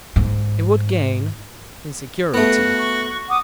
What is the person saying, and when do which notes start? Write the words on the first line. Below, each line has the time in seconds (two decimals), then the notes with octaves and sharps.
"It would gain in security."
0.16 G#2
2.34 A3 B3 F#4 F5
2.78 C#6
3.29 F#5 D6 D#6